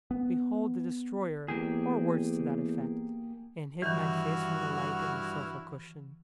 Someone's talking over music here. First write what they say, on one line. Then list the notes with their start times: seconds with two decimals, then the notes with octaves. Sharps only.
Behold the destroyer!'--or words to that effect--and hid my face from the light, in the sofa cushion.
0.11 B3
1.48 E2 A#3 G4 G#4
3.82 G2 D#3 E3 E4 F#4 F#5 F6